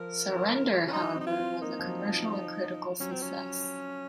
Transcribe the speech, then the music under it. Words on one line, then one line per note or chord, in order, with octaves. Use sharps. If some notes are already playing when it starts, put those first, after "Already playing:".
"Surrender", however, was a commercial and critical success.
Already playing: F3 A#4
C#4
F#3 D#4
C4
D#4
F4
C4
A#3 D#4
F3
F#3
F3
F#3 C#4
C4
C#4